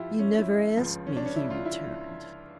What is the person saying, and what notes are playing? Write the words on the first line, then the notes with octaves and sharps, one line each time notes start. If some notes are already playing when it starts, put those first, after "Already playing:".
"You never asked me," he returned.
Already playing: G2 F3 E4 F4 G4
C#4
E4
C#2 C#3 F3
C#4
D4
C#4
E4
F4
E4